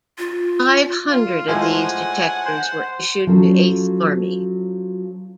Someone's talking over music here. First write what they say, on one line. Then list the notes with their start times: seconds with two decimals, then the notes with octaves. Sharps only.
Five hundred of these detectors were issued to Eighth Army.
0.18 F4
1.10 F4
1.48 A2 F3 G#3 F#5 G#5
2.45 C5
3.27 F3 F#3 C#4 A4